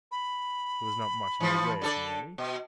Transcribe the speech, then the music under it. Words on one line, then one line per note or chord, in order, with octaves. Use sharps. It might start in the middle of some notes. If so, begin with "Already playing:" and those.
He was not marching away from the enemy.
B5
E3 F3
D3 A4 D5
B2